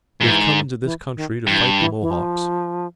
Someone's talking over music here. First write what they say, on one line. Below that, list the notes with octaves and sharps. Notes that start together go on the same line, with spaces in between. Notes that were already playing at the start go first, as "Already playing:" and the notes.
They have come into this country to fight the Mohawks.
G#2 E3
E3
D#3
G2 E3
E3
E3
F3